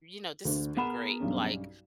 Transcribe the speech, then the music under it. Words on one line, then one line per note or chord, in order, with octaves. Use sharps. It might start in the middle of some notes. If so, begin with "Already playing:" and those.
you know, this has been great, like,
D2 D3
B3 G#4 A#4 F#5 B5 E7
B1 G2 C#4